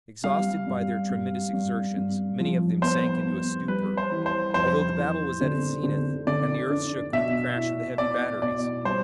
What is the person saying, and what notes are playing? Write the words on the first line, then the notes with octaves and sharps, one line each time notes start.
Exhausted by their tremendous exertions, many of them sank into a stupor, although the battle was at its zenith and the earth shook with the crash of the heavy batteries.
G3 F5
G2
G2
G2
G2
F3
B3 C5
B3
G3 B4
C5
E3
C5
F2 C5
E3
D3
D3
D3 D5
D4
B2 E5
E4
B3 D5
B2 D5
G3 C5